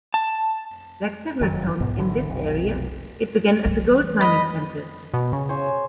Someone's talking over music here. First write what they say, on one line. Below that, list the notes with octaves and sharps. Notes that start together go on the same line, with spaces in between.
Like several towns in this area, it began as a gold mining centre.
A5
F#1 F2 D#3 F#3
C2 G#2 B2 B3
G#1 D3 E3
F1 B1 C3
E3 G3
D#5 B5
B2
C#3
C5 C#5 G#5